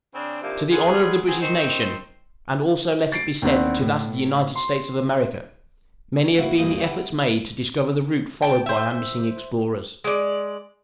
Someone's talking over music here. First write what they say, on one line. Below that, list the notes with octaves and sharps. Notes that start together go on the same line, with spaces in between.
To the honor of the British nation, and also let it be said to that of the United States of America, many have been the efforts made to discover the route followed by our missing explorers.
C#3 C4 D4
D#2 C3 F3 A#3 D4
B3 F4 G#4
C3 B3 C4 G#4
D#3 C4 D#4 C5
A6 C7 D7
D#2 B3 C4 D4
A2
C6
A2 A#3 E4 F#4
D2 G2 A#2 D#4 D#5
C3 B3
G5 A5
C5 E5
G#3 D5